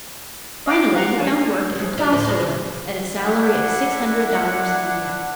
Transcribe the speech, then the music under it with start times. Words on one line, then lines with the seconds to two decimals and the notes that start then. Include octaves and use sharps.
Finally he found work in a plow store at a salary of six hundred dollars a year.
0.66 D#5 F5 G5 D6
0.93 F4 G4 F5 F#5 A#5
1.17 D4 C#5 F5 G#5 A5
1.75 F3 G#3
1.98 F4 D5 E5
2.12 D2 A2 C5
2.27 G#3
2.40 C#3
3.18 D4 E4 F#5